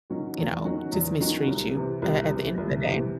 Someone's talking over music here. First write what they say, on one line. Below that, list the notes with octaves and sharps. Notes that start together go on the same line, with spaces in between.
you know, just mistreat you, uh, at the end of the day.
D#3 F#3 C#4 F#4
E2
D#3 F#3 C#4 F#4
E2
D#3 F#3 C#4 F#4
C2
C3 E3
C2
C3 E3
C2
C3 E3